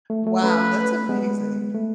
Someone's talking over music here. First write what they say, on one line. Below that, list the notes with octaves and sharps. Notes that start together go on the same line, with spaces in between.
wow, that's amazing!
A3
A3
A3 C#4 B4
G#3 B3
A3